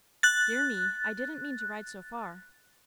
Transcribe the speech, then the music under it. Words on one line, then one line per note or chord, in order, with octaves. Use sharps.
Dear me, I didn't mean to ride so far.
F#6 A6